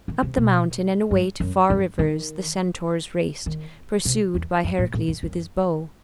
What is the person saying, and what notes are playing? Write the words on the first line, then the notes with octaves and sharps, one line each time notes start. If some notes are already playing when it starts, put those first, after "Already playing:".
Up the mountain and away to far rivers the centaurs raced, pursued by Heracles with his bow.
D#3
C3
B2
G2
F#2
F#2
D#3
D#3
C3
E2
F#2
A2
A2
F#2
F#2